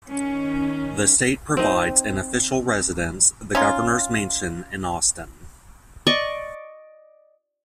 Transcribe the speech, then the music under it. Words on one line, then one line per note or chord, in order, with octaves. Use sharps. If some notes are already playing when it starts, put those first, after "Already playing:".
The State provides an official residence, the Governor's Mansion in Austin.
D#3 C#4
C4 D#4
C#4 D#4 F4
D5 D#5 C#6